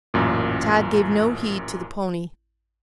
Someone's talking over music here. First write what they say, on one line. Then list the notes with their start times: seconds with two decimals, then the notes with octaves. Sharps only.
Tad gave no heed to the pony.
0.14 A1 F#2 A#2